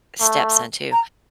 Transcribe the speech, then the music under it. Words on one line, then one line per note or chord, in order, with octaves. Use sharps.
stepson too,
A3
A#5